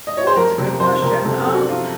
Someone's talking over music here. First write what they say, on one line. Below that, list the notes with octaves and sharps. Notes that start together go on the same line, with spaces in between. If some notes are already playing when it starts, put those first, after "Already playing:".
Well, that's a good question, um
D#5
C#5
C5
F2 A#4
C3
F2 C5
C3 A#4
C3 A4
A4
F3
F#4
F3 F4